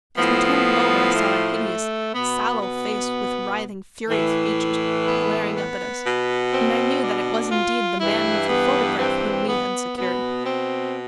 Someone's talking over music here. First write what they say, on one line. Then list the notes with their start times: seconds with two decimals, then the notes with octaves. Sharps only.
As we turned him over I saw a hideous, sallow face, with writhing, furious features, glaring up at us, and I knew that it was indeed the man of the photograph whom we had secured.
0.17 A2 F3 B3
1.15 A3
2.12 B2 B3
2.62 B3
4.08 A2 E3
5.06 B3
5.55 B3
6.04 B2
6.53 C4
7.02 D4
7.51 F4
7.99 G2 E3 E4
8.49 B3
8.98 C4
9.47 B3
9.96 B2 B3
10.44 C4